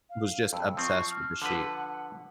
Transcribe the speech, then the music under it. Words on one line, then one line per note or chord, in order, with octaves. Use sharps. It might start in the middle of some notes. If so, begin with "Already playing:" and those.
was just obsessed with the sheep.
F5
F2 E6
F3 C4 C#6
F6
D3 F3 B4 F#5